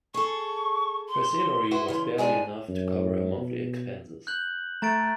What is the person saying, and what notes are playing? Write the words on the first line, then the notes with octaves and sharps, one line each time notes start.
Her salary was barely enough to cover her monthly expenses.
G#4 A4 C#6
C6
E4 F#4 B4
C#3 E3
D#3 G#3 D4 G#5
F#2
B2
F#6 G6 F#7
A3 A#5 A6 D7